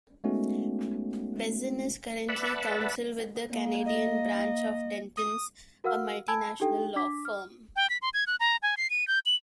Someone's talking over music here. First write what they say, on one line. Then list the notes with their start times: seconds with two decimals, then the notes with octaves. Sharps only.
Bazin is currently counsel with the Canadian branch of Dentons, a multinational law firm.
0.24 G#3 A3 B3 C#4 D#4 F#4
2.29 B4 D5 E5 F#5 A5 B5
3.50 A#3
3.86 D#5
5.17 D#6
5.84 F#4 A#4 F5 F#5 E6 F6
6.28 G#5 A5 B5 E6 G#6 D7
6.60 D4 D#4 G4 A4 G5
6.96 D4 D6 B6
7.25 F6
7.76 G5
7.90 B6
8.02 C6
8.14 G#6
8.27 F#6
8.40 A#5
8.62 G#5
8.77 C7
8.90 D#7
9.08 G6
9.26 F#7